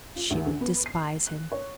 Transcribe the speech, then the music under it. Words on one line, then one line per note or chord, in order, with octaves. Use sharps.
She would despise him.
F4
D2
D3
B3
C7
F#6
C#5